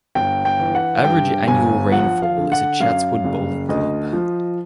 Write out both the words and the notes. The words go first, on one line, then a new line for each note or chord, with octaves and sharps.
Average annual rainfall is at Chatswood Bowling Club.
G1 G5
G5
E3
F#5
G2 G5
G1 G#5
F3 F#5
F5
D3
F#5
F#2 F5
F#1
D2 D#5
F3